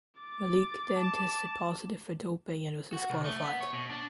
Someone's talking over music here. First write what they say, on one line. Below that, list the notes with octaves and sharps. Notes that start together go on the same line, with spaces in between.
Malik then tested positive for doping and was disqualified.
D6 A6
A5
F#4
C2
A3
B3
C#5
B2
D4